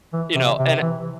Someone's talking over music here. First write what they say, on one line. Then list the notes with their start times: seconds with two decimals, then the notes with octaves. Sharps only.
you know and
0.13 E3
0.35 C3
0.59 C3
0.81 E3